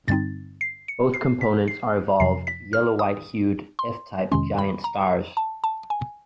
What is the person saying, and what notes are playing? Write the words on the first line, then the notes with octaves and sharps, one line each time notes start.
Both components are evolved, yellow-white hued, F-type giant stars.
G2 D3 G3 C4 D#4 A6
C7
C#7
C7
B6
C7
F2 C3 F3 C7
B6
F6
D#6
C6
F2 C3 D#3 G#3 C#4 C6
B5
A#5
A5
A5
G#5